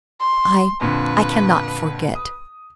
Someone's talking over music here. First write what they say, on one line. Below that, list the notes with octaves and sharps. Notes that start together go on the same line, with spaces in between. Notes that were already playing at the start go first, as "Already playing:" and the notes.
"I--I cannot forget."
C6
F2 A#2 D3 B4
D#6